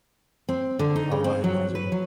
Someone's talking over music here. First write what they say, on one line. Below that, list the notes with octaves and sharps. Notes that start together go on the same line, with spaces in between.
Oh, I imagine.
C4
D3
D#4
C#3
C4
F#3
B4
F#3